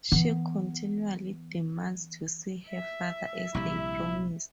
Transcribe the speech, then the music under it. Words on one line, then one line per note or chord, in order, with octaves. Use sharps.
She continually demands to see her father as they promised.
E3 B3
E5
A#1 C3 G3 E4